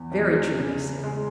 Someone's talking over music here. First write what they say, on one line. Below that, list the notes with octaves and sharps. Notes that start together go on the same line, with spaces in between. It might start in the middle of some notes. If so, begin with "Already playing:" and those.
Very true, he said.
Already playing: E2
E2
C#3
G#3